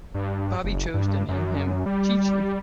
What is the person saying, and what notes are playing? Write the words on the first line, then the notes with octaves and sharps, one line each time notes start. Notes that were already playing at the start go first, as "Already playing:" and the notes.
Bobbi chose to name him "Chi-Chi".
G2
F#1
G2
F#2
G3